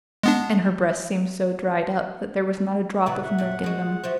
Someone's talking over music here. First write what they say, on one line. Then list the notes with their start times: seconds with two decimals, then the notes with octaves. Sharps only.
And her breasts seemed so dried up that there was not a drop of milk in them.
0.23 G#3 B3 D4
3.06 A#2 C#3 E3 B4 D5 E5 B5
3.22 E5 F#5
3.38 F2 A#2
3.64 G#3 F#4 D#5
3.83 F4
4.04 F3 F#4 C5 E5